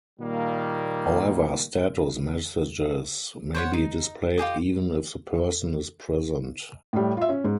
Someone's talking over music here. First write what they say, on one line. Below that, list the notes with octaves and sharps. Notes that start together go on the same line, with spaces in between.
However, status messages may be displayed even if the person is present.
A#2 D#3 G3 A#3
C5 C#5 F#5
D#4
F4 G4 G#4 D#5
A2 G3
F4 E5
C#4
G#2